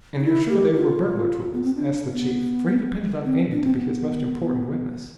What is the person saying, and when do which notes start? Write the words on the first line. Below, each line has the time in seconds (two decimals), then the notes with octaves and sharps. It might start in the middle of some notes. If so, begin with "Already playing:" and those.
"And you're sure they were burglar tools?" asked the chief, for he depended on Andy to be his most important witness.
0.19 D4
0.24 E4
0.49 G4
0.74 F4
1.53 B3
1.64 C4
1.74 D4
2.12 B3
3.24 C4
3.50 D4
3.64 C4
3.75 B3